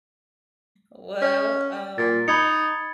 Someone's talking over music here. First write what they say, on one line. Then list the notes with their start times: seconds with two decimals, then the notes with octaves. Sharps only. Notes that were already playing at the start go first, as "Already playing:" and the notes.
Well, um
1.22 C#4
1.98 A#2 A6
2.28 D#4 B5 G#6 C#7